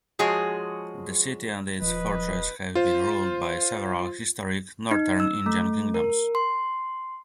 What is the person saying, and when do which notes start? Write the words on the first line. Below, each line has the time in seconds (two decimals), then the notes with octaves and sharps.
The city and its fortress have been ruled by several historic northern Indian kingdoms.
0.19 F3 G#3 F#4 G#4 C#5
1.82 D#1 F3 B4 D#5
2.75 F4 C5
4.91 D#4
5.20 E6
5.46 A3
5.94 A#4
6.35 C6